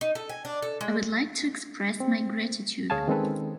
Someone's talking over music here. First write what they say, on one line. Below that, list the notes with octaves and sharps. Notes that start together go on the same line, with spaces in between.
I would like to express my gratitude.
D#4
A4
G#5
D4
A4
G#3
C4
D2 G#4 C#5 F5 G#5 A5
D#3 G#3 C4 C#4 A4 B4